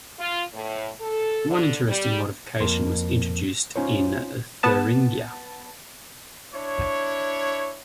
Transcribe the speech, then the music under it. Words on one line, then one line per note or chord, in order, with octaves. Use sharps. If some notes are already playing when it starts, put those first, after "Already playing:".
One interesting modification was introduced in Thuringia.
F4
A2
A4
D3
G3
F2 A#3 C6
C#4 D#4 F4 C5 C#5
B3 A5
D4 E4 C#5